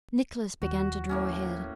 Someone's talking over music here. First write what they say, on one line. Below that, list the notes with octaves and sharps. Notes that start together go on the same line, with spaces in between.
Nicholas began to draw ahead.
D#2 F#4
A2 A#3 C#4